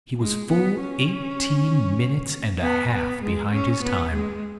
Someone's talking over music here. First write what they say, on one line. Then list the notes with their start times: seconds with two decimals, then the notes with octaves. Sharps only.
He was full eighteen minutes and a half behind his time.
0.19 G#3
0.50 B3
0.80 C#4
2.62 B3
2.93 B3
3.23 G#3
3.53 C#4
3.83 B3
4.13 G#3